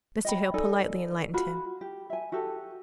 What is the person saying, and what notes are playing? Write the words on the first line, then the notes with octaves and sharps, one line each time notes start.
Mr. Hale politely enlightened him.
D#5 G5 B5
D#4 A4 D5 G#5
F4 F#4 B5
G4
E5 G#5
F#4 G4 A4 A5